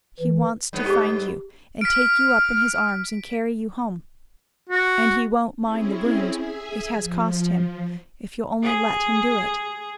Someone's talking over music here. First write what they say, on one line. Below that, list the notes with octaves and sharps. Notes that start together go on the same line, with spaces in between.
He wants to find you, and take you up in His arms, and carry you home; and He won't mind the wounds it has cost Him, if you'll only let Him do it.
E3
G2 G#3 B3
G4 G#4
F6 B6 D7
F#4
C4 C#4 E4 G#4
G#4 E5 G#5
F3
G#4